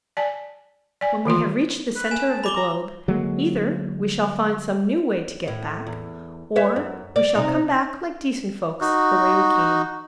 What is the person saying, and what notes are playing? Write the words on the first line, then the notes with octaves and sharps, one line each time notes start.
When we have reached the centre of the globe, either we shall find some new way to get back, or we shall come back like decent folks the way we came.
D5 G#5 A5
D5 G#5
D#3 E3 F4 C6
B4
G#5 E7
A5
B5 D6 G7
A#5
D3 F#3 G#3 A#3
A2
E2
B4 C#5 E5
F#2
D5
C3 D#4
D#4 F#4